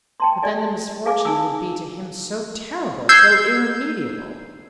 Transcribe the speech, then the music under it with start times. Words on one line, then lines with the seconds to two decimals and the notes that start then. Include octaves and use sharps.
But then the misfortune would be to him so terrible,--so irremediable!
0.20 G5 A5 C6
0.43 G4 D5 D#5 G#5
1.06 G#4 F5 G#5 D6
1.25 D#4 G#5 E6
3.09 E6 G6 G#6 C7